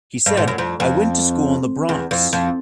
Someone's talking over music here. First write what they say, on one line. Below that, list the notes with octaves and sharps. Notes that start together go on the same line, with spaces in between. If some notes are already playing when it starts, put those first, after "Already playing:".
He said: I went to school in the Bronx.
G2
G#2
F#2
F2
F2
E2
F2
F2